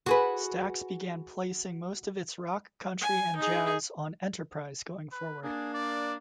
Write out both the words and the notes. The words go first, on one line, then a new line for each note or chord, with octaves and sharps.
Stax began placing most of its rock, country and jazz on Enterprise going forward.
F#4 G#4 B4
G#5
D#4 G#4
B4
A#3 D4 G#4
D5